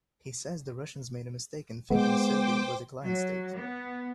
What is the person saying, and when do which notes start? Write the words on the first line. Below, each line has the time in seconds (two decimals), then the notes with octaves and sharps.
He says the Russians made a mistake in thinking Serbia was a client state.
1.90 G#3 B3 C5 G5 D6
3.05 F#3
3.57 B3